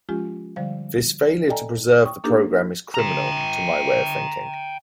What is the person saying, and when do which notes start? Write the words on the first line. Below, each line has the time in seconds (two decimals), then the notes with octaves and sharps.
This failure to preserve the program is criminal, to my way of thinking.
0.09 F3 G#3 C#4 F4 G4
0.56 D3 F3 G3 C5 F5
1.48 A4 D5 D#5 G5 G#5 A#5
2.05 G5 C#6 D#6
2.24 A#3 D4 D#4 G4 A4
2.95 G5 A#5